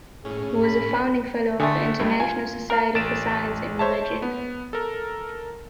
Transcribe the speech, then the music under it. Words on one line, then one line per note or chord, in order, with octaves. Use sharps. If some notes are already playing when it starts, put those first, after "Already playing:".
He was a founding fellow of the International Society for Science and Religion.
A2 C#4 G#4
B5
D3 A3 G4 G#4
C#2 G2
F4 G#5
A#4 F5
A1 A6 D7 E7
C5 C#5 E5 A5
B3
A4 A#4